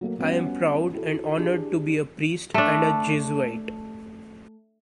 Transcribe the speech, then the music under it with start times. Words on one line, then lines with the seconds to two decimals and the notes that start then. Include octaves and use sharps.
I am proud and honored to be a priest and a Jesuit.
0.01 F#3 A3 A#3 A#4
0.19 G3 B3 C#4 F#4 F#5
0.93 E4 F#4 A4
1.38 D4 E4 G4 G#4
2.54 A3 D4